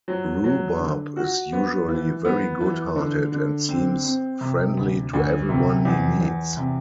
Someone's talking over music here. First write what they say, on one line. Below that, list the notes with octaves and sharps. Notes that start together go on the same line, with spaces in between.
Roobarb is usually very good hearted and seems friendly to everyone he meets.
F#3
F#3
D3
F#4
B3
E3
B3
E3
D3
D3
C4
C4
C3
D2
D2
C3
E2
E2
C3